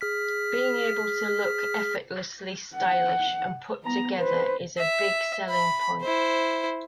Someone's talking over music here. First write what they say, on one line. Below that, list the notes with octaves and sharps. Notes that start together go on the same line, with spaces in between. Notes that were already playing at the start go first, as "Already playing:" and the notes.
Being able to look effortlessly stylish and put together is a big selling point.
G#4 F6 B6
F#5
B3 A#5
B4 C5
E5
B5
E4 C5